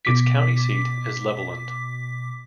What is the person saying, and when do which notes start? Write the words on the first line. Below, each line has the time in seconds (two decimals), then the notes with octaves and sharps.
Its county seat is Levelland.
0.05 B2 D6 B6